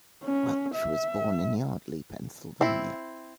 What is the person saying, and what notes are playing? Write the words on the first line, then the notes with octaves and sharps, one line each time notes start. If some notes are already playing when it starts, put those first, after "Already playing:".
Welch was born in Yardley, Pennsylvania.
C#4
E5
C4 E4